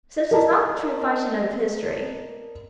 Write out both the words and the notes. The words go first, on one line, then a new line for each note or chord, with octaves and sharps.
Such is not the true function of history.
A#4 D5 D#5 A5 A#5